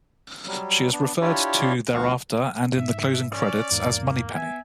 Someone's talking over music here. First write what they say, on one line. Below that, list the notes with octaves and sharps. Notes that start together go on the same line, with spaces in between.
She is referred to thereafter, and in the closing credits, as Moneypenny.
F#3 G3
B3 D4
D4 E4 F4 G4 C#5 D5
D2 F3 F#4 F5 F#5 C#6
G#2 E5
C#4 D5
E2 G#2 A#3
B3 E5 G#5